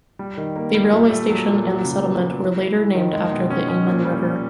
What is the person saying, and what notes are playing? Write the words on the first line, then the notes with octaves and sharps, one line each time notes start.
The railway station and settlement were later named after the Iman River.
G3
D#3
A#3
G3
A#2
A3
F#3
A#2
F#3
C#3
B3
F#3
E4
E4
E4
D#3
G#3
B2
C#4
C#4
A#2
G3
G3